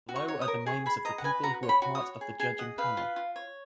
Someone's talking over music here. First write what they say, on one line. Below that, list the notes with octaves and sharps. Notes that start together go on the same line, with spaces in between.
Below are the names of the people who were part of the judging panel.
F#4
C#6
C#5
D#6
A#4
G#4 C#6
G#4 B5
D#5 A#5
F#5
B4 G#5
F#4 A#5
C#5
B5
F#4
D#6
C#5
G#4
G#4 G#5
D#5 F#5
B4 F5
F4
F4
C#5